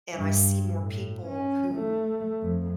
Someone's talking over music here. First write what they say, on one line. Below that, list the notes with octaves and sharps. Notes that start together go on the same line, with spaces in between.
and I see more people who
G2
A2
C#4
A3
F2